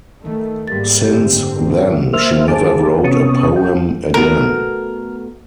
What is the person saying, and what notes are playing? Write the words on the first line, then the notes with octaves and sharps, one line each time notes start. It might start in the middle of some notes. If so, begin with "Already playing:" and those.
Since then she never wrote a poem again.
D#3 A3
G#2 G3 A#3 A6
F#1 D3 C4 G4
A#3 C5 E5 F6
D#3 G#4 A5 D6
C3 B3 C#4 A5 C#6 D#6
G5
A3 B3 F#4 A#4